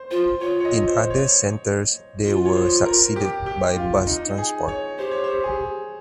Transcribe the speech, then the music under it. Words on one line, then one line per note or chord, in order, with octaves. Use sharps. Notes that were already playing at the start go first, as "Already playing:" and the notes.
In other centres they were succeeded by bus transport.
Already playing: C5
F4 C5
F4 C#5
C#5
D#5
C5
C#5
F4
C#5
C5
A#4
G4
G4
F4
D#4
G#4
C#5
G4 C5
C#5
C5
G#4